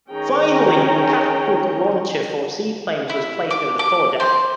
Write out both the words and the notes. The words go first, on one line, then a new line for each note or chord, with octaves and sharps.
Finally, a catapult launcher for seaplanes was placed over the fore deck.
D#3 C#4 G#4 C#5 G5 A#5
E4
D6
D6
C5